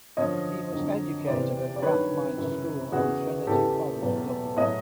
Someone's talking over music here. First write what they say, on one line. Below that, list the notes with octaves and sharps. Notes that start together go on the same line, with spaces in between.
He was educated at Rathmines School and Trinity College, Dublin.
F#2 D3 F3 C#5 D#5
F2 D3 F#3
E2 C3 E3 C5 D5
D5
G2 D#3 F#3 B4 C#5
F#2 C#3 E3
E2 C#3 E3 F#4 G#4
E2 C#3 E3 G4 A4
E2 B2 F#3
A2 F#3 C#5 D#5